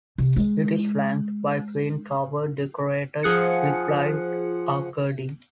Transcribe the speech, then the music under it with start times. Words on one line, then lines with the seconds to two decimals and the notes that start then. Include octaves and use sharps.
It is flanked by twin towers decorated with blind arcading.
0.18 C3
0.36 G#3
3.23 F3 G#4 F#5 C#7